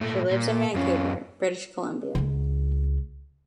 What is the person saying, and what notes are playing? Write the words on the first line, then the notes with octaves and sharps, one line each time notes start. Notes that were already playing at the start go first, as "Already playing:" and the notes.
She lives in Vancouver, British Columbia.
A#2 A3
A#2
A#3
F#2 C#4 F4
C#2 D4